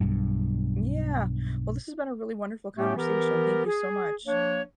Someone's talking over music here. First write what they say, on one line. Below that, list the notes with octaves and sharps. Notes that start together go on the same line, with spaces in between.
Yeah. Well, this has been a really wonderful conversation, thank you so much.
B1 G2
A2 A3 B3 C#4 G4
E3 B3 G4 A#4
G#4
F3 A#3 D4 C#5